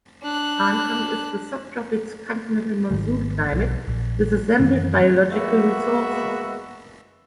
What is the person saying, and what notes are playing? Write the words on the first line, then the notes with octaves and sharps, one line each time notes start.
Ankang is the subtropics continental monsoon climate with assembled biological resources.
D4 F#6
G#1 G#2 D#3 G#3
B1
A#1
F#2 D#3 E3
G#3 A#3 B3 F#4 E5